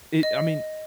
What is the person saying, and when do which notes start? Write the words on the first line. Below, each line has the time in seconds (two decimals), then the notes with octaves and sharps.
it I mean,
0.23 D#5